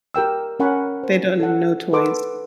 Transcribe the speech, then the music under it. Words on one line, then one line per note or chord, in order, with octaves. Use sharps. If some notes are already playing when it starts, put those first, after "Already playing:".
They don't no toys.
G4 A#4 G5 E6
C#4 A#4 F#5 G#5 B5 C#6
C5
A4 F#5
A4 B4 F#5 C6 D6